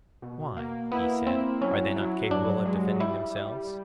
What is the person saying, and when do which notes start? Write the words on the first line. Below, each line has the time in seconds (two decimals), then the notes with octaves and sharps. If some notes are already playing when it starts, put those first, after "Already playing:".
Why? he said; are they not capable of defending themselves?
0.22 B2
0.57 A#3
0.92 B3 E4
1.27 C4 E4
1.61 F#3 C#4
1.96 F#3
2.30 G2 D4
2.65 G#3
3.00 G3 E4
3.36 G3